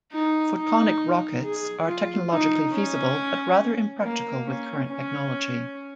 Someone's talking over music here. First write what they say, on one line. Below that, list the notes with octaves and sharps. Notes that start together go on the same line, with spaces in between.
Photonic rockets are technologically feasible, but rather impractical with current technology.
D#4
D#4
G#4
F4
D#4
C#4
A#3
C#4
C#4